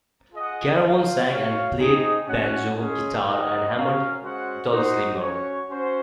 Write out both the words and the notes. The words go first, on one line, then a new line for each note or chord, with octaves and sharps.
Carawan sang and played banjo, guitar, and hammered dulcimer.
F4 G#4 D#5 F#5
F4 C5 F5
F#4 C#5 F5
C4 D#4 G#4 D#5
C#4 F#4 C#5 F#5
G#3 C#4 G#4
D#4 A#4 D#5 F#5
C#4 F#4 A#4 F5
G#3 C#4 F#4 C5 F#5
D#4 F#4 C5
C#4 F#4 C#5
C#4 F#4 C5